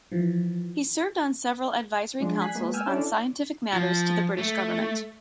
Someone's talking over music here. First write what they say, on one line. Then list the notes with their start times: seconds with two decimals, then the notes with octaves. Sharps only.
He served on several Advisory Councils on scientific matters to the British Government.
0.12 E3 F3
2.20 F3 G#3 D4
2.41 G#5 F#6 B6 C7
2.55 G#3 A#3 B3
2.73 G5 G#5 E6 F6
2.86 C#4 D4 E4 A4 D5
3.73 F3
4.38 A3